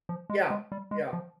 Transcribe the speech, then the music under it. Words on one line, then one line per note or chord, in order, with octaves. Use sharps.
Yeah, yeah.
F3
G#3
G#3
G3
G#3
F3